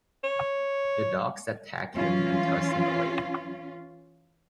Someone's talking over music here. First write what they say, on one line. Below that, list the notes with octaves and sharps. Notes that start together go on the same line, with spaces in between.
The dogs attack him and toss him away.
C#5
E3 C#4 F4